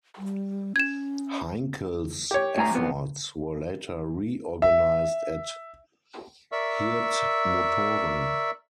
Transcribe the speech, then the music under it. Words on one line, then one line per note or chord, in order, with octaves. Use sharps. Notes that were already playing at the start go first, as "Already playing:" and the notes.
Heinkel's efforts were later re-organized at Hirth Motoren.
G3
C#4 G#6 E7
G4 C#5
A2 G#5 A#5
F2 B3
E5
A#4 D5 E5 C#6 E6